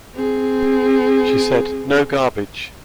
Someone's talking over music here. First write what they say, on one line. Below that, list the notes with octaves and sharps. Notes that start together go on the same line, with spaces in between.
She said, No garbage.
C4 G#4